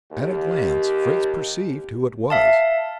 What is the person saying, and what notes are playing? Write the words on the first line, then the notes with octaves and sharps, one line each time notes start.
At a glance Fritz perceived who it was.
D#2 G4
E5 F5 A5